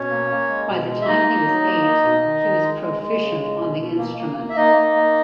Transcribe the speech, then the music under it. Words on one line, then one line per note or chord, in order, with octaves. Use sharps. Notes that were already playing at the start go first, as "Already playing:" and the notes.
By the time he was eight, he was proficient on the instrument.
Already playing: B2 C#4 C#5
A#3
A#3
G#3
B2
G#3
E5
A#3 D#4 D#5
A#3
F#3
A#3
A#3
B2
D#3
D#3
G#3
G#3
G#3
C#3
G#3
B2
B2
A#3
A#3
A#3
E5
A#3 D#4 D#5
A#3
A#3